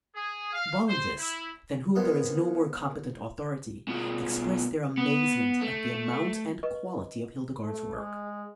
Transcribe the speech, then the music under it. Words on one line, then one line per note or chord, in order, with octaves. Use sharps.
The Bollandists, than whom there is no more competent authority, express their amazement at the amount and quality of Hildegard's work.
G#4
F5
C5
E4
D#3 F3 G#3 B3
B2 F3
B3
A3
B4 D#5 C#6
A3
G#3